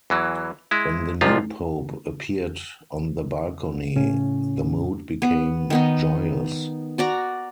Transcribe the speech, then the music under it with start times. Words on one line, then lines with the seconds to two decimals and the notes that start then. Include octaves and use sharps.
When the new pope appeared on the balcony, the mood became joyous.
0.10 E2 E3 F#3
0.71 G#3 E4
1.21 C2 G#2 C3 F3 F4
3.96 A2 C#3 C#4
5.22 B3
5.70 D#3 B3 D#4
6.98 F#4 D5 A#5